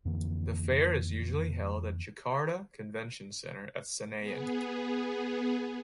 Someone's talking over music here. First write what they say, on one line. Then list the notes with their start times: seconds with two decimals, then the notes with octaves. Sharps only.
The fair is usually held at Jakarta Convention Center at Senayan.
0.05 F2 D3 E3 A#3
4.18 B3 G#4